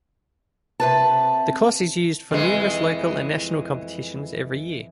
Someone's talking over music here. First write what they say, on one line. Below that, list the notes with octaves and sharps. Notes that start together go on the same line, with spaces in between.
The course is used for numerous local and national competitions every year.
C3 B4 A5
F2 E3 G#3